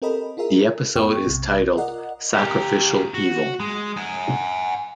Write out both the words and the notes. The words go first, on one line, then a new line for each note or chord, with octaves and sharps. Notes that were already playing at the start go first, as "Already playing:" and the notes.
The episode is titled Sacrificial Evil.
C4 G4 A4 A#4 D#5 B5
E4 F4 G#4 A#4 E5
F#2 B3 G5 C#6
B1 C3 G3
F4 A#4 D5 D#5 F#5
G4 A#4
F#4
G#3
F#5 G#5